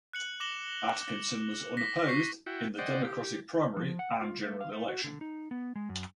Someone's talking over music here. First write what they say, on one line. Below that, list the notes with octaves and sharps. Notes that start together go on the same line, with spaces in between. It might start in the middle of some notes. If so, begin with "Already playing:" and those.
Atkinson was unopposed in the Democratic primary and general election.
F#6 C#7 F#7
D6 A#6 E7 F#7 G7
A#6 B6
C#6 C7
E4 F#4 G5
C5 D5 D#5 F#5 G5
G4
F3
F#5
F4
A3
F5
A3
F#4
D3
D#4
B3
G#3
F#2